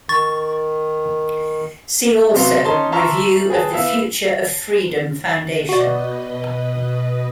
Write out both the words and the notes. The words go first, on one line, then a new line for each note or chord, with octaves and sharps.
See also review of the Future of Freedom Foundation.
D#3 C#6 A6
C3 F#3 B3 F5 C6
C#4 D#4 A5 C6
E5 A5 A#5 C6 C#6 F6
G#4 B4 G5 A5
B3 E4 E5 F5
B2 F#4 B4 D5 D#5